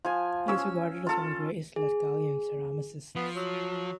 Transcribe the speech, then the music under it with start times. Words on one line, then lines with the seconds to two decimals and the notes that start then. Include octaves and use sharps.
He is regarded as one of the greatest Latgalian ceramicists.
0.05 F3 G#5
0.48 C#4 E6
1.07 F4 A4
1.76 G#4
3.16 F3 B3
3.36 F#3